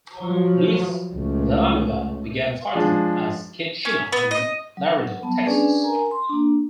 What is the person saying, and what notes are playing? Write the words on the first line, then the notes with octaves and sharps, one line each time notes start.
Luis Villanueva began fighting as "Kid Chino" in Laredo, Texas.
F3 F#3
C#2 A3
F3 G#3 D4
C#4
B3
D#5
F#3
G3 B3 A5
C#4 D4 G#4 B4 D5 G#5
A#4 G#5 A#5
C6
A#3 D4